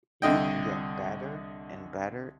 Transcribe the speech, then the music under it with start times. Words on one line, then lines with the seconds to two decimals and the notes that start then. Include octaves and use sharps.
You can get better and better,
0.22 C2 D3 D#5 G5